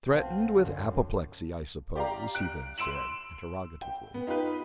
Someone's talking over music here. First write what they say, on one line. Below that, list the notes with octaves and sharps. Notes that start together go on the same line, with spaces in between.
"Threatened with apoplexy, I suppose?" he then said, interrogatively.
B1 C4 F5 F#5 A5
F#2 D3
G4 D5 F5 A#5
F#6 D7
C6 E6 D7 E7 F#7
G5
B3
D#4 F4 G4 B4